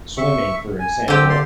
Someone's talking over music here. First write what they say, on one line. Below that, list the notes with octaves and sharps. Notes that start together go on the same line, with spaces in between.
swimming, for example.
E5 C#6
G#5
D3 C4 G4
D5 C6